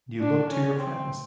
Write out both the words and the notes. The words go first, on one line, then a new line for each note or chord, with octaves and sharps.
You look to your friends.
D4
C#4
C4